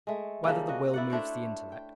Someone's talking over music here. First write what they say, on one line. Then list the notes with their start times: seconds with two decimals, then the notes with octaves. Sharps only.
Whether the Will Moves the Intellect?
0.07 G#3 A3
0.44 C#3 F3 G3 A#3
0.69 F#4 D#5
0.94 E4 D5 F#5
1.10 A3 D4 C5 C#5
1.72 G5